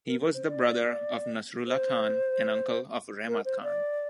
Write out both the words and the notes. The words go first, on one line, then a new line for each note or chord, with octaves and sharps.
He was the brother of Nasrullah Khan and uncle of Rehmat Khan.
A#4
A#4
C5
D5
C5
A#4
C5
D5